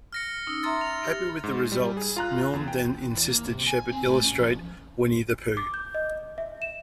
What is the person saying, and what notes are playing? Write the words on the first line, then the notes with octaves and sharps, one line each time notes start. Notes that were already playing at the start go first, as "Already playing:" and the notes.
Happy with the results, Milne then insisted Shepard illustrate "Winnie-the-Pooh".
F6 A#6 C#7
C#4 D#4 E6
E5 A#5 C6 A6
F7
G4
G#2
G3
G#4
F4 A#5 F#6
E2
G5
E2
A#3
C3
G#5
C4
A2
C#4
F3
D6
G6
D#5
E5
E7